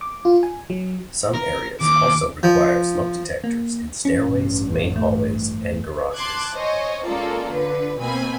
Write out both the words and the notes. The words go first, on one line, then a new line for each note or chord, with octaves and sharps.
Some areas also require smoke detectors in stairways, main hallways and garages.
D6
F4
G#5
F#3
A#4
D#2 D6
F3
A#3
A1 G2 C#4
A3
A5 C6 D6 F#6 G#6
C5 C#5 D#5 G#5
G#3 A#3 C#4 F4 A4 D5
D3 B4
B2 A#3 C4 G#5 B5